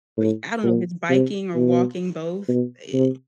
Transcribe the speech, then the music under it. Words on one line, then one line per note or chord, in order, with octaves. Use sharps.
I I don't know if it's biking or walking, both, it
A2
A#2
C3
B2
B2
C3